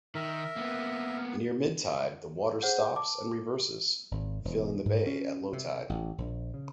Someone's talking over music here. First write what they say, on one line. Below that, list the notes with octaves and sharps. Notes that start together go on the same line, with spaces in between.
Near mid-tide the water stops and reverses, filling the Bay at low tide.
D#3 A#4 E5
A#3 B3
G#4 C5 F#5 G6
A5 D6
G#1
E1
G#2
C#4
C3
A1
A#1
C#3